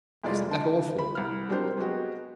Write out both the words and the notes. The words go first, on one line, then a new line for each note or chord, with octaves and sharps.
Isn't that awful!
F1 G#3 E4 F4 D5 C6
D3 A5 D7
B5
C2 F6
F#3 G3 C4 D4 A#4 C5
F#3 G#3 B3 F#4 G4